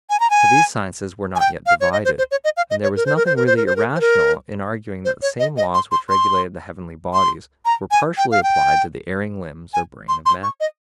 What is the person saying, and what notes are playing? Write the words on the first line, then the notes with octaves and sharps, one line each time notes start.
For the sciences were not yet divided, and there was nothing really irrational in arguing that the same laws which regulated the heavenly bodies were partially applied to the erring limbs or brain of man.
G#5
A#5
G#5
G#5
G5
F5
C#5
D#5
C5
C5
C#5
D#5
F5
D#5
C#5
A#4
C5
A#4
C5
A#4
C5
A#4
C5
A#4
C5
A#4
C5
C#5
D#5
D#5
C6
C6
C6
C6
A#5
G#5
G5
F5
G5
G#5
C6
C6
C#6
D#5